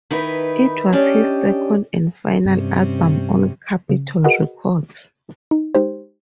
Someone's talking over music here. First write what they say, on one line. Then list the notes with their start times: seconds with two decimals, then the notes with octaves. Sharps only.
It was his second and final album on Capitol Records.
0.11 D#3 D#4 E4 B4
0.93 C#4 D4 G4 D5 D#5
2.45 G2 C3 C4 C#4
3.89 C#3
4.24 F#4 G#4 A#4 B4 D#5 F#5
5.51 D#4
5.75 G#3 D#4 G4 C5